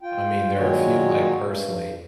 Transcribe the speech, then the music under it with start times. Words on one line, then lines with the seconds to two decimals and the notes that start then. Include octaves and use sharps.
I mean, there are few like, personally,
0.02 F4 G5
0.57 A#2 D#3 F#3 G#3 C#5
1.40 G2